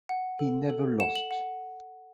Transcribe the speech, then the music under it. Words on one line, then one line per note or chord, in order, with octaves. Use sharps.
He never lost.
F#5
A4
A4
F#5 E7
F#7
F#5